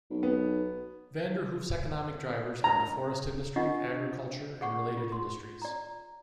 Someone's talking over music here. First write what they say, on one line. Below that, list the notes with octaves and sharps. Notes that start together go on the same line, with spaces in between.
Vanderhoof's economic drivers are the forest industry, agriculture, and related industries.
B1
B3
A#5
D4 F4 D#5 F#5 C#6
G#4 F#5 C#6
F4
C6
D5 A#5